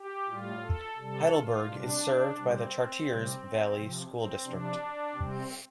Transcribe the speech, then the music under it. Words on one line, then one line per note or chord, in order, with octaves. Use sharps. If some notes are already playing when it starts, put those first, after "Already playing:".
Heidelberg is served by the Chartiers Valley School District.
Already playing: G4
A2 G3 F4
A4
C3 G3 A4
F4
C3 G3 D4
C3 G3 C4
C3 G3
C3 F3
C4
C3 F3 D4
C3 G3 C4